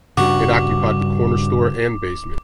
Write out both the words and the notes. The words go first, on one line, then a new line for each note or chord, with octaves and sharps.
It occupied the corner store and basement.
G2 C#3 G3 F#4 D6